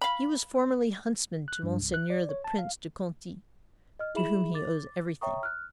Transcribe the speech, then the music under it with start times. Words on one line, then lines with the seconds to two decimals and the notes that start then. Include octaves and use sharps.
He was formerly huntsman to Monseigneur the Prince de Conti, to whom he owes everything.
0.01 F5 B5
1.48 F#6
1.63 G2
1.81 C2
1.94 F#6
2.10 D5
2.29 C#5
2.44 A5
2.59 F5
3.99 D#5 F6
4.15 E4 G#4 E5 B5 E7 F#7
4.54 D6 A6
5.21 C#5 E5 G5 A#5 C#6 D#6
5.43 F6 F#6